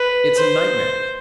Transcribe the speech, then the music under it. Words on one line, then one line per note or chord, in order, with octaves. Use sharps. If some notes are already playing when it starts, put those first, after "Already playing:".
It's a nightmare!
Already playing: B4
C5